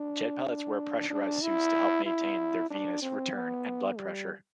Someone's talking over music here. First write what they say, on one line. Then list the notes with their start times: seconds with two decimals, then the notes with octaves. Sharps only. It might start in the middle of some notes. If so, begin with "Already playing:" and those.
Jet pilots wear pressurized suits to help maintain their venous return and blood pressure.
Already playing: D4
0.46 D4
1.10 D4
1.42 E4
2.06 E4
2.71 D4
3.02 C4
3.34 B3
3.98 G3